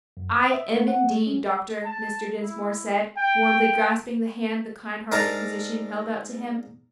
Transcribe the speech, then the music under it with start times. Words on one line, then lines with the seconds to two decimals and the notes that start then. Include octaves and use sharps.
"I am, indeed, doctor," Mr. Dinsmore said, warmly grasping the hand the kind-hearted physician held out to him.
0.17 F#2
0.35 D#6
0.54 E5
0.75 A3
0.88 F#5
1.10 A3
1.27 C#4
1.85 A5
2.42 E4
3.17 G5
5.12 G#2 D4 A#4 A5 A#5 C#6